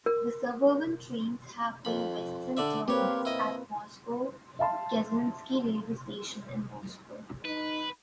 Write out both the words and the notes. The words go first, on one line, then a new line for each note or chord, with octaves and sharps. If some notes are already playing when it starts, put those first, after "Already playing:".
The suburban trains have their western terminus at Moscow Kazansky railway station in Moscow.
A#4
F2 B5
D3 D5 E5
A#3 C4 G4 B4 C#5
E4 D#5
E5 F5 A5 C6
D#4 B4